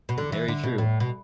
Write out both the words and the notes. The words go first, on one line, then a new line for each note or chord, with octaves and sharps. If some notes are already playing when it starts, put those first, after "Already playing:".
Very true,
B2
D3
E3
D3
B2
A2
B2